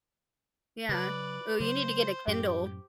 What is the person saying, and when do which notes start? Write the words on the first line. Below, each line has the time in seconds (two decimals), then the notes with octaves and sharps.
Yeah, ooh, you need to get a Kindle.
0.89 C#3 F#3 B4 D5
1.60 C#3 F#3 C5
2.28 F#2 A2 G4